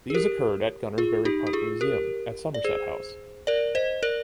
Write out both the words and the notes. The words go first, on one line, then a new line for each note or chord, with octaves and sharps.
These occurred in Gunnersbury Park Museum and at Somerset House.
G#4
G4 A#4
F4 G#4
D#4 G4
G4
F4 G#4
G4 A#4
D5
G#4 C5
A#4 D5
C5 D#5
A#4 D5